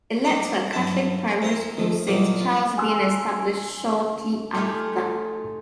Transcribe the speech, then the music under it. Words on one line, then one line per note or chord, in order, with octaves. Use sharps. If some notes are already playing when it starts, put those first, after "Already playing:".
It led to a Catholic primary school Saint Charles being established shortly after.
G3 D#4 C5 C6
G2 F#3 E4 A5
C4 E4 F5 A#5 C6
D#3 F3 A3
E2 A#2 F#3 A#3 C4 D#4
F4
G#5 A5 C6 E6 F#6
A3 D#4 F4 G4 G#4